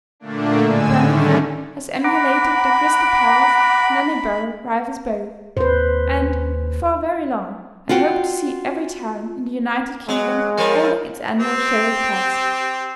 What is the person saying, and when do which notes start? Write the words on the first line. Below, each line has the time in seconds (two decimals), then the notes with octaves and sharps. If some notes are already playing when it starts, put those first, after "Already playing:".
Birmingham has emulated the Crystal Palace, and Edinburgh rivals both; and, before very long, I hope to see every town, in the United Kingdom holding its annual show of cats.
0.20 A#2 D3 A3 A#3 D4
0.64 A2 D3 G#3 G#5 E6
0.97 D3 D#3 G3 A3 C#4
2.04 F#5 A#5 B5 D6
5.57 D#2 B4 C5
7.89 F4 F#4 F#5 G5
10.08 F#3 G#3
10.58 F2 F3 A#4 C#5
11.39 C4 G4